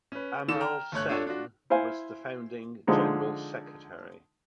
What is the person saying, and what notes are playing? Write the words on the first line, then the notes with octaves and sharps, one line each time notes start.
Amal Sen was the founding general secretary.
C#4 B4
D#3 A4 E7
G5 A#5 F6
G1 A3 C#5 F#6
D4 F4 A4 C#5
D4 F4 F#4
E4 C5 F5 G#5
D3 F3 G#3 D#4